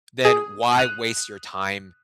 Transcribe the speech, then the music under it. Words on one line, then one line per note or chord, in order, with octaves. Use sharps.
then why waste your time
G#4 D#6
F#6 D#7 F7